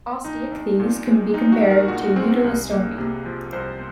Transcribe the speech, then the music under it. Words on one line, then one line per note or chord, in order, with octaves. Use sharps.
Osteichthyes can be compared to Euteleostomi.
A#1 D#4
A#1
A#2
G#3
A#1 D#4
F#4
A#1
A#4
A#2 F#4
G#3 C4
C2
A#3
C3
F3
C2 C5